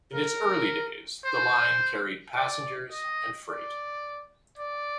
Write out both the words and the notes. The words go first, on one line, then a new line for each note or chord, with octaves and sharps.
In its early days the line carried passengers and freight.
A#4
C5
D5
D#5
D5
D5